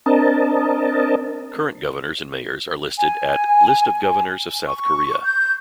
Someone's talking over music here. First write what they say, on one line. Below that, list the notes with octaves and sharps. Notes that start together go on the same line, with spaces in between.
Current governors and mayors are listed at List of governors of South Korea.
C4 D4 A#4 D#5 A5
G#5
C#6
G6